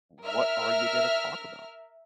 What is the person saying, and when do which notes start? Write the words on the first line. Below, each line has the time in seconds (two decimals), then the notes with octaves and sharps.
what are you gonna talk about?
0.24 A#4 E5 F6